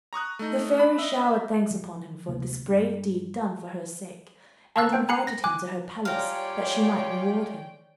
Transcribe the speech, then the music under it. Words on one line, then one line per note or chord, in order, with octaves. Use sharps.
The fairy showered thanks upon him for this brave deed done for her sake, and invited him to her palace that she might reward him.
A#5 C#6 D#6 F#6
A3 D#4
B5
D#5 E5
F3
D2 C3 A#3
G2
A5 A#5 C#6 E6 F#6 A6
B3 C5 G5
G#5 A#5 B5 F#6 C7 C#7
A#6
G#5 D6 F#6
G3 F4 C#5 D5 F5 G5 G#5 A#5